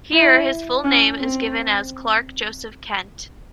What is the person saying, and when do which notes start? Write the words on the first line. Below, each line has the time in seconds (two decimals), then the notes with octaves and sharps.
Here, his full name is given as Clark Joseph Kent.
0.12 E4
0.84 C#4
1.19 C4